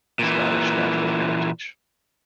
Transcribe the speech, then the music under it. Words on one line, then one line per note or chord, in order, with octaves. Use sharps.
Scottish Natural Heritage.
A#2 E3